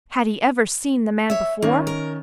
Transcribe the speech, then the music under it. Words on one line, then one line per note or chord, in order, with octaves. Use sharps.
Had he ever seen the man before?
C#5 E5
D#3 A#3 C#4
A#4